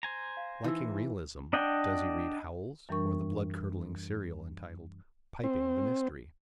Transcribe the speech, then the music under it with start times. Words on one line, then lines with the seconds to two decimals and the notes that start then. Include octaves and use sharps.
Liking realism, does he read Howells or the blood-curdling serial entitled "Piping the Mystery"?
0.03 C5 G#5 A#5
0.37 F5
0.64 E3 D#4 E6
1.53 D4 D#5 F#5 G5
2.89 F#2 E3 G3 D4 A#4 C#6
5.44 C4